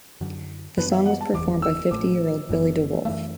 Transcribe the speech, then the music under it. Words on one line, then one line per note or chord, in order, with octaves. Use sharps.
The song was performed by fifty-year-old Billy De Wolfe.
F#2 D3 F#3
F#2 E3 B3 D4 B4
E5
F#5
A5
F#1 E2 E3 D6
E6
A1 A2 A3 D6
F#1 F#2 F#3 B3
F#2 E3 A3 E5